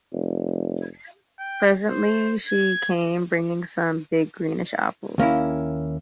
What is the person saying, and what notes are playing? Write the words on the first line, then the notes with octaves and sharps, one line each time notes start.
Presently she came, bringing some big greenish apples.
F1
G5
C5
G#6
D#2 A#3 C#4 E4